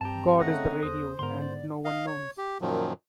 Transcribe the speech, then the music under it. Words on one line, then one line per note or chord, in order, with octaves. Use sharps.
'God is the Radio' and 'No One Knows'.
G2 C4 G4 A5 A#5
C#3 A3 D#4 A4 C#5 F#5 F#6 A#6
E2 C5 D#6
G#2 D3 B3 A#4 C6
D5
D#5 F5
C#5
G4
F#2 A#2 D#3 F3 F#3